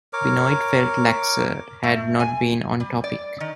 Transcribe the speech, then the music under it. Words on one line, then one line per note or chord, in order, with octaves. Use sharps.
Benoit felt Laxer had not been on topic.
A#4 C#5 D6
A3
G#5
G3
D5
D#3